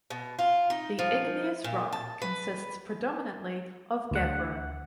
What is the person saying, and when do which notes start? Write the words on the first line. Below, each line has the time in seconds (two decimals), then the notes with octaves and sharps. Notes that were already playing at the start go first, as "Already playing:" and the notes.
The igneous rock consists predominantly of gabbro.
0.10 B2
0.39 F4
0.70 D#4
0.99 F3
1.64 A#2
1.93 A5
2.22 B4
4.11 D2 F#5